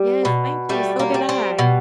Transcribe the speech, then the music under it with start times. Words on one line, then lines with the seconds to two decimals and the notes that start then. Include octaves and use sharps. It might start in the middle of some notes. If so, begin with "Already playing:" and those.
Yes, thank you, so did I.
Already playing: G3
0.25 B2
0.69 G3 A3
0.99 A#3
1.14 G3
1.29 C4
1.59 B2